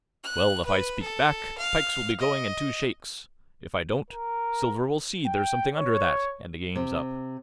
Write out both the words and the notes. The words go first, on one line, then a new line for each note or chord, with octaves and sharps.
Well, if I speak back, pikes will be going in two shakes; if I don't, Silver will see there's something under that, and the game's up.
F#6
B4
A4
F5
D#5
A#4
G5
C#5
C3